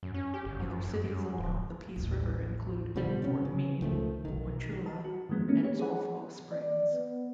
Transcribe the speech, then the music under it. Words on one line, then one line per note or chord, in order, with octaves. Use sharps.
Other cities along the Peace River include Fort Meade, Wauchula and Zolfo Springs.
F#2
C#4
G4
G1
F#2
F#2
F#2
D1
A1 D#2
B2 D3 F3 G3
C3 C#4
C#3
C#2 D#3 F3 A3
B1 D#3
A5
F#4
D#3 F3 G#3 B3
A3 A#3 C#4 D#4
G4 C#5
G#4 F#5
D5
B3